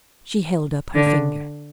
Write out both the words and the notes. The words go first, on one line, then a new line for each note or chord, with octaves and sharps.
She held up her finger.
D3